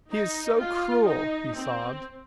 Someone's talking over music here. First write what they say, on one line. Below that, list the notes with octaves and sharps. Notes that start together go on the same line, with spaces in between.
"He is so cruel!" he sobbed.
D#4
F4
D#4
C4